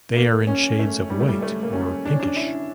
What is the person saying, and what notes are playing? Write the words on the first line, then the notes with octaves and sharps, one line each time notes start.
They are in shades of white or pinkish.
A#3
C#4
A3
G3
A3
G3
A3
A#3
C#4
D4
C#4
D4
E4